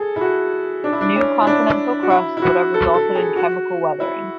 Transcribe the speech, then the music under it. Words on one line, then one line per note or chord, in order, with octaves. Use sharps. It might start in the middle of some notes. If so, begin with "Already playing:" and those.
New continental crust would have resulted in chemical weathering.
Already playing: G#4 A4
E4
F#4
D4
E4
D4
C#4
E4
D4
F#4
E4
E4
F#4
A4
A4
G#4
F#4
E4